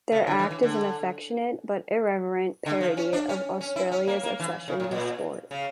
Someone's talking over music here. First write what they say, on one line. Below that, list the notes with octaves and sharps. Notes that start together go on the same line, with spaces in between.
Their act is an affectionate but irreverent parody of Australia's obsession with sport.
C#3
D3
E3
E3
D3
D3
F3
C#4
D4
C#4
C#4
E4
C#4
A#3
A#3
E3
C#3
A2
A#2
C#3